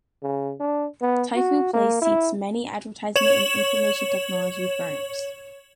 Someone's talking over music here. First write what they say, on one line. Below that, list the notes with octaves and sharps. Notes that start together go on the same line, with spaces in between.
Taikoo Place seats many advertisement and information technology firms.
C#3
D4
B3
F#4
A#3
E4
C#5 E7 F#7